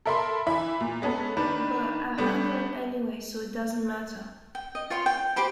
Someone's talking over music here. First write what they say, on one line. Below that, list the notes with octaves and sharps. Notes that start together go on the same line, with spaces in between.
But I'll handle it anyway, so it doesn't matter.
A4 A#4 E5 B5 C6
E3 E5 B5
A#2
G#3 B3 C#4 A4
D#3 D4 B4
G3 A3 B3 D4
G5
D#5
F4 C#5 G5 C6
G5
G4 C5 G5 B5